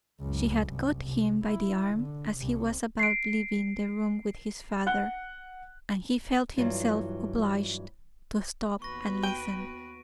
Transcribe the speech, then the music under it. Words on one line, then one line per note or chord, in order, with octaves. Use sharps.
She had caught him by the arm as he was about leaving the room with his father, and he felt himself obliged to stop and listen.
C#2 F#2
C2
C3
E4
D3
C2 C3
C7 D7
F#5 F#6 G7
G2 A#2 E3 F#3 F4
D#2 B3 F#4 B4 C#6 A#6
G5 D7 D#7